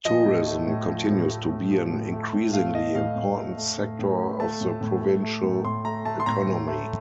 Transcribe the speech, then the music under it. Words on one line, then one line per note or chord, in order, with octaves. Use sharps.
Tourism continues to be an increasingly important sector of the provincial economy.
F3 D#5
A2
A3
A2
F3
A2
A3
A2
F3
A2
A3
A2
A3 F5
A3 D#5
A2 F5
A2
A3
A3
A2
A2
A3
A3 A5
A2
A2
A3
A3
A2
A2 C6
A3 A#5
A3 A5
C6
A2 A#5
A2
A3